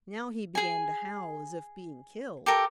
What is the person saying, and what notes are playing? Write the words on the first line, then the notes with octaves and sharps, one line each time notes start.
Now he began to howl as if being killed.
G#4 G#5
G4 A4 A#4